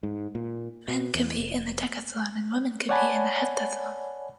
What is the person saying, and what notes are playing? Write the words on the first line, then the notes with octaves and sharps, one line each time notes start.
Men compete in the decathlon and women compete in the heptathlon.
G#2
A#2
B2
E2
F1
C#5 D5 F#5 G#5 A5 B5